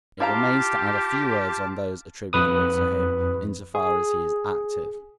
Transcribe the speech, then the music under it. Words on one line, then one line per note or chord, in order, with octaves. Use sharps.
It remains to add a few words on those attributable to him in so far as he is active.
E4 F4 G4 F5 A5 A#5 D6
F2 B4 D#6
G#4